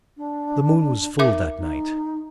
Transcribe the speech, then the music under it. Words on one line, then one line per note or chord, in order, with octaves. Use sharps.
The moon was full that night.
D4
D#4 A#4 E5 D6
D#4